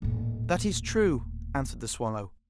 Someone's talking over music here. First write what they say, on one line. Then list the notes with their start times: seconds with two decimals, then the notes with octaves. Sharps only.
'That is true,' answered the swallow.
0.02 D#1 A2